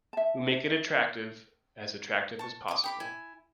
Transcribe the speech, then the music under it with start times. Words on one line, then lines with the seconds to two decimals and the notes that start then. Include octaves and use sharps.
We make it attractive — as attractive as possible.
0.13 E5 A5
2.39 A5 C#6
2.68 D6 D#6
2.84 G4 B5 D6
3.00 E4 G#5